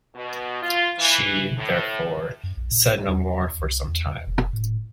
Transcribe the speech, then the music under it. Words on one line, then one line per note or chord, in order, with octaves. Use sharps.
She, therefore, said no more for some time.
B2
F4
E3
A2
F#2
A#1
A#2
E2
C2
E2
F1
A2